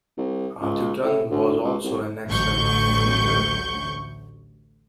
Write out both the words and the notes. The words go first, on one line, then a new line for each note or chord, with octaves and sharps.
Arthurton was also an excellent fielder.
C2
C#2
A2
D2
C#2
C2
A1 D2 F#3 C#6 G6